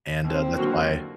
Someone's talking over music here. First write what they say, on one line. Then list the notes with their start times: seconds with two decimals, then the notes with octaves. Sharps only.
and, uh, that's why
0.24 D#2 C4
0.58 D3 F#3 A#3 F#4